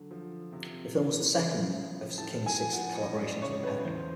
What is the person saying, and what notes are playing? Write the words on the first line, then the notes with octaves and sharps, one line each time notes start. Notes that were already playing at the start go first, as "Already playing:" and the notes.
The film was the second of King's six collaborations with Peck.
Already playing: D3 F#3
F3
C3
E3
C#3
F3
A2 A5
G#5
F3
F#5
F#2 D#5
D5
C#3 C#5
B4
E2 C5